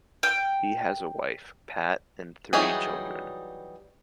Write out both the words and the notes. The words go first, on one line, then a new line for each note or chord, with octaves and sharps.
He has a wife, Pat, and three children.
G5
E3 F#3 G3 D#4 G#4